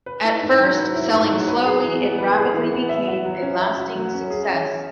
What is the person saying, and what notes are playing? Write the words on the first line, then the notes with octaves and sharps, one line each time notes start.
At first selling slowly, it rapidly became a lasting success.
B4
E4
G#2
F#3
B4
E4
G#2
F#3
B4
G#4
E3
B3
B4
G#4
E3
B3
E5
F#4
F#3
C#4
E5
F#4
F#3
C#4
G#4
C#4